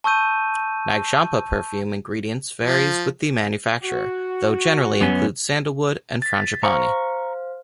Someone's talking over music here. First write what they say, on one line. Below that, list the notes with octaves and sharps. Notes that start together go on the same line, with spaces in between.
Nag Champa perfume ingredients varies with the manufacturer; though generally includes sandalwood and frangipani.
A5 C#6 E6 G6 D#7
F3
F#4
F#2 B3 C#4
A6 B6
C5 F5 A#5 C#6